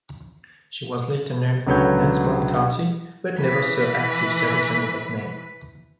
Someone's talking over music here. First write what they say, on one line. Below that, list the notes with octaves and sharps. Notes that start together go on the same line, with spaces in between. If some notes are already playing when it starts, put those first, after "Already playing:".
She was later named "Nansemond County", but never saw active service under that name.
C#2 D3 F#3 B4 C#5 G6
E3 B4